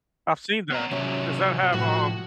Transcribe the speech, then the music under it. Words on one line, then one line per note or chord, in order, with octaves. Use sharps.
I've seen that. Does that have, um
B3 C#5 A#5
C3 F#3 C#4 E5
A2 F3 F#4